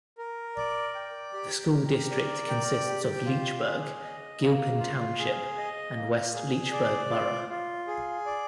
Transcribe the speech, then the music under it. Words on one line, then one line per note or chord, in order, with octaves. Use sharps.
The school district consists of Leechburg, Gilpin Township and West Leechburg Borough.
A#4
D5
G5
G4
A#4
D5
G5
G4
F4
G#4
D#5
A#3
F4
G#4
D#5
A#3
G#4
D5
F4
F4
G#4
D5